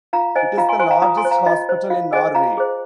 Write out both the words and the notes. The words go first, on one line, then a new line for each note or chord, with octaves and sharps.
It is the largest hospital in Norway.
F4 F5 A#5
C5 D#5 G#5
F4 F5 A#5
G#5 C6
C5 G#5 C6
F5 A#5
F4 A#5 D#6
G#5 C6
C5
F5 A#5
F4 D#5
C5
F4 F5
G#4 C5 D#5 G#5
F4 F5 A#5
G#4 C5